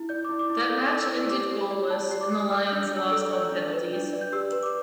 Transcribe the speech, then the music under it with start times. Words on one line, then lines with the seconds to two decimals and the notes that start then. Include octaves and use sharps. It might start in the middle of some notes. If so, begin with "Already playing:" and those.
That match ended goalless and the Lions lost on penalties.
Already playing: E4
0.09 D5 G6
0.25 E4 D6
0.39 D6
0.50 E4
0.55 D6
0.69 A4 G6
0.90 D5
1.00 E6
1.10 E4
1.30 G4 D6
1.51 G4
1.61 B5
1.71 D5
1.90 D5 A5
2.11 G4
2.21 D6
2.31 G4
2.51 D5 E6
2.67 G6
2.72 D4
2.81 G6
2.91 D4
2.97 E6
3.12 A4 E6
3.31 D5
3.51 D4
3.73 B4
3.93 D4
4.13 D5
4.21 G6
4.32 G4 E6
4.53 B4
4.63 D6